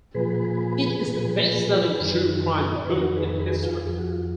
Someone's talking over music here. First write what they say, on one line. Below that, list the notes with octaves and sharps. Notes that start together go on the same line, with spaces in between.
It is the best-selling true crime book in history.
A#2 F3 G#4 B4
A#2 F3
F#2 D#3
D#5
D5
B4
F2 D#3 F#4 A#4
G#4 B4
G#4 B4
F4 G#4
F2 F3 G#4
F#4
F4